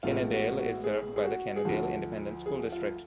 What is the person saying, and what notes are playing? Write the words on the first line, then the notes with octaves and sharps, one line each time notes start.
Kennedale is served by the Kennedale Independent School District.
A1 A2 G#3 B3 F4
F#4
F#4
G#4
G#4
F#4
G#4
D2 D3 F3 F#4
G#4
F4